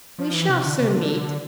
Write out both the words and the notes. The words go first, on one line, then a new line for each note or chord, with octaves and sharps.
"We shall soon meet."
F3
E3
C3
D3
C3
D3